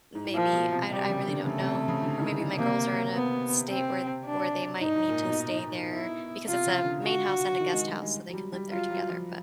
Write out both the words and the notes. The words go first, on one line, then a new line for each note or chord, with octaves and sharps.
Maybe, I I really don't know. Or maybe my girls are in a state where where they might need to stay there because it's a main house and a guest house so they could live there together, but
G#2
A2
A#2 F3
B2
C3
C3 G3
C#3
D3
C#3 A3
C3
C3
C#3
D3
D#3
D#3
C3 A#3
B3
C4
D4
G#2 D#4
G#2
A#2
B2
E4
C3 F4
C#3
D3
F#4
D#3
G#3
G3
G#3
F#3
G3
G3
F#3 F4
F#3
F3